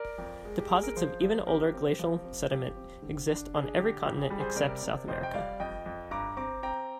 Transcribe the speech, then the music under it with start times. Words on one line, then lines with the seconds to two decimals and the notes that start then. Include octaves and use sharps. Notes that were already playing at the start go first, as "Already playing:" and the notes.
Deposits of even older glacial sediment exist on every continent except South America.
Already playing: A#4 D5
0.18 F2
0.45 G#3
0.59 G4
0.70 G#3 G#4
0.83 A#4
0.96 F3 G#4 C5
1.21 F3
1.47 C4 G4 A#4
1.74 C4
1.99 F3
2.25 C4
2.51 F3 G4
2.76 C4
3.02 D3
3.27 D4
3.54 D4 G#4
3.79 D3 G4
4.05 F2 G4
4.22 G#4
4.30 G3
4.39 G#4 C5
4.56 C3 A#4 D5
4.83 C3
5.08 F2 C5 D#5
5.23 G5
5.33 G3 D5 F5
5.60 F2 D#5 G5
5.86 F2
6.11 G2 A#5 D6
6.37 C4 A#5 D6
6.63 C4 G5 A#5